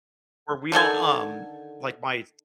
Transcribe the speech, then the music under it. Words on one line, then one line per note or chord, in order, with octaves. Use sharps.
where we don't, um, like my
D3 D#3 A4 G#5